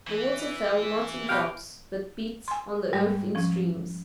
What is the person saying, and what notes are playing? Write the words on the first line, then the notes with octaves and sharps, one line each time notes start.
The water fell not in drops, but beat on the earth in streams.
E3
B2 G4 F5
G#5 C6
G#2 G3 G#3
F3 C#4